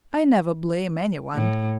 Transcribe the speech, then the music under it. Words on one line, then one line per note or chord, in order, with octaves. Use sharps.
I never blame anyone.
A2